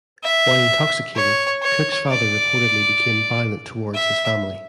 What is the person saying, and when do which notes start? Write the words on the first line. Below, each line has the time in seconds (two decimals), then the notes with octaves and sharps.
While intoxicated, Cook's father reportedly became violent towards his family.
0.24 E5
1.16 C#5
1.62 C#5
2.09 D5
3.94 E5